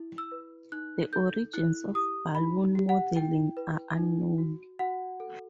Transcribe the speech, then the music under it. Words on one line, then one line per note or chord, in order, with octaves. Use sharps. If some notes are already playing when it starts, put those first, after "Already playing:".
The origins of balloon modelling are unknown.
Already playing: E4
E6
B4
D#4 F#6
A4 G6
E4 F#6
G4 D#6
D#4 B5
G4
F#5
E4 G5
B4
D#4
F#4
F#4 F#5
A4